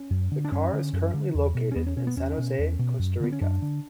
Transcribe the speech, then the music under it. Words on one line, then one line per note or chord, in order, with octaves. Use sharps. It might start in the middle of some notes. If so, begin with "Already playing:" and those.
The car is currently located in San Jose, Costa Rica.
Already playing: C#4
F#2
D3
D4
F#2 C#4
D3
F#2
D3
E2
B2
C#4
E2 B3
C#4
B2 C#4
B3
E2 C#4
B2
E2
B2
F#2
D3 B3
C#4
F#2 D4
D3